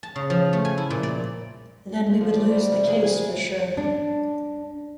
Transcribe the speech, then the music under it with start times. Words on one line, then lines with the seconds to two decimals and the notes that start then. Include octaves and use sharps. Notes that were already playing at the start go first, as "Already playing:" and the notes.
Then we would lose the case for sure.
0.03 A5
0.16 C#3
0.30 F3
0.53 A3
0.65 G#5
0.78 E4
0.90 A#2
1.03 D5
2.07 C6
2.21 F3
2.35 D5
2.52 G3
2.72 C3
2.88 G#4
3.04 G#5
3.77 D4